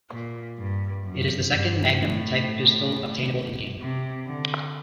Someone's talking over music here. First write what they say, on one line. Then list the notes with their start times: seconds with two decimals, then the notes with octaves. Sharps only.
It is the second "Magnum" type pistol obtainable in the game.
0.12 A#2
0.58 G2
1.04 F#2
1.51 G2
1.96 A2
3.81 C3
4.26 D3